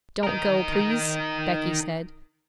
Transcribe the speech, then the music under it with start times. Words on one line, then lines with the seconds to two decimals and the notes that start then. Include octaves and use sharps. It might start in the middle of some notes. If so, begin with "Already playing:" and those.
'Don't go, please,' Becky said.
0.23 D#4 A#4